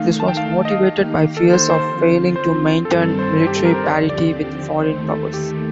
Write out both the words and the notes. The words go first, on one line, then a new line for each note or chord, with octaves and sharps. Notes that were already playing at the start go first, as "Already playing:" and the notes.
This was motivated by fears of failing to maintain military parity with foreign powers.
Already playing: D#3 A3 D#4 F5
A5
G5
F5
D#5
F5
D#3 A#3 D#4 G4
A4
C5
C5
D3 F3 C4 F4
C5
G2 D#3 G3 C4 A4
A4
C5
G4
A4
A#4
C5
D#2 D3 F3 C4 G4 D5
D5
D#2 D#3 A3 C5
A4
G4